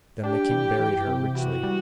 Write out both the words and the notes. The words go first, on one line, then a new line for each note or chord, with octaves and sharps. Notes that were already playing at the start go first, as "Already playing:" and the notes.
Then the king buried her richly.
D4 G4
E3
E3
C3
E3 F#4
G3